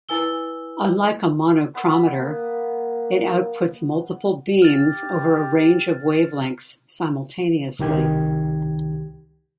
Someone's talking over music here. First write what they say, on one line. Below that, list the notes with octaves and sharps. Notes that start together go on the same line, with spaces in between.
Unlike a monochromator, it outputs multiple beams over a range of wavelengths simultaneously.
E4 B4 G#5 E6 G7
B3
A#3
G4 F6 A6
C2 D#3 G4 G#6